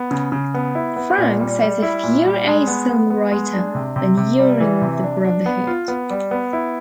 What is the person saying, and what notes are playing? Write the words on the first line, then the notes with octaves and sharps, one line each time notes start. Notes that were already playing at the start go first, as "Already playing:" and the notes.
Franks says If you're a songwriter then you're in the Brotherhood.
Already playing: B3
C#3
C#3
B3
E4
B3
A#2
G3
G3
E4
A#2
G3
G#3
B3
B3
B3
G#3
D4
C3
C3
C3
G3
E3
C3
D4
D4
B3
F4
B3
G3
B3
E4